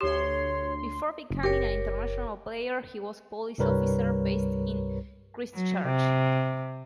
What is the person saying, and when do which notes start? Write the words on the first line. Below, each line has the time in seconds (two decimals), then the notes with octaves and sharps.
Before becoming an international player he was a police officer based in Christchurch.
0.01 D2 G4 C#5 C6
1.31 F#1
1.43 G4 A#4 C#5
3.58 C2 G2 G3 A#4 B4 C#5
5.53 F#3
5.85 C3